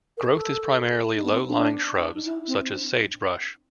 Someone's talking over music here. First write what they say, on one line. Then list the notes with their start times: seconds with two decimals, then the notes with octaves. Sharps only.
Growth is primarily low-lying shrubs, such as sagebrush.
0.17 A#4
0.34 A4
1.16 D#4
1.24 B3
1.32 C4
1.48 D4
2.15 D#4
2.25 E4
2.48 C4
2.69 D4